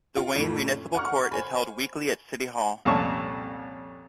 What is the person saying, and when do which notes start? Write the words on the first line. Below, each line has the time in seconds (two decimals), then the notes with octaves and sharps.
The Wayne Municipal Court is held weekly at City Hall.
0.17 F4
0.35 F2 A2
0.67 C#4
0.95 F#5 A#5 C#6 F6
1.31 C5 G#5 B5
2.85 C2 F2 A#2 C#4 A5 C#6